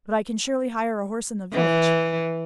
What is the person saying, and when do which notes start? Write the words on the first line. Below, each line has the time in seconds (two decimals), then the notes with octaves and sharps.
"But I can surely hire a horse in the village?"
1.53 E3